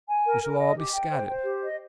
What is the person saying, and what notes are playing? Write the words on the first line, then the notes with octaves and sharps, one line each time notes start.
We shall all be scattered.
G#5
A#4
A#4
D#5
G4
G5
C5
C5
G4
D#5